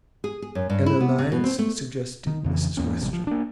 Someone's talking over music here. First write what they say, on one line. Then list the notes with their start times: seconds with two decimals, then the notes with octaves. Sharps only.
"An alliance," suggested Mrs. Western.
0.24 G#4
0.42 G#4
0.55 F#2
0.70 G2
0.86 E4
1.00 B3
1.18 C3
1.32 B2
1.44 C4
1.59 A3
2.27 D#3
2.44 F2 C#3 E3
2.77 E2 G#2 A#3 C#4
3.00 A1 C3 F#3 G3
3.13 F3
3.27 A#3 D4